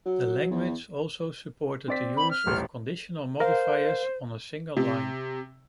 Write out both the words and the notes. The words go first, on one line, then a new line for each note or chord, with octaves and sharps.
The language also supported the use of conditional modifiers on a single line.
F#3
E2
C4 D5 B6
B5
F6
D#1 A1
A#4 C5 F5
C3